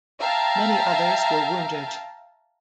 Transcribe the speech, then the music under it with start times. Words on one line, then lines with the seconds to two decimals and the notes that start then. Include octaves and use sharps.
Many others were wounded.
0.21 E5 F5 G5 A5 A#5